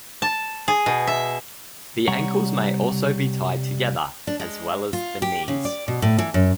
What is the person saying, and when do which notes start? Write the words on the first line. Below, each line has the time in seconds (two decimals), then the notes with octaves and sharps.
The ankles may also be tied together, as well as the knees.
0.22 A5
0.68 G#4
0.86 B2
1.07 E5
2.08 C2 G3 C#5 F#5 A#5
4.27 D4
4.40 G#3
4.93 F4
5.22 G4
5.48 C#3
5.65 D5
5.88 B2
6.02 A2
6.19 E3
6.34 F#2